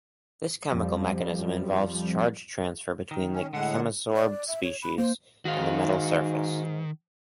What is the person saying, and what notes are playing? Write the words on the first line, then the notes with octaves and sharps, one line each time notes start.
This chemical mechanism involves charge transfer between the chemisorbed species and the metal surface.
F2 F3 G3
D#3
C#4
A2 D3 G#3 F#5
D5
E5
C#5
B5
A#3 C5
G#2 D#3 D#4 F#4 F5